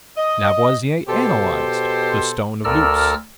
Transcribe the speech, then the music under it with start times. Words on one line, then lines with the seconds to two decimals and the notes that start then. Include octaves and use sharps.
Lavoisier analyzed the stone of Luce.
0.17 D#5
1.08 B2 G4 A4 C5
2.64 D2 A4 A#4 D5 E6 F6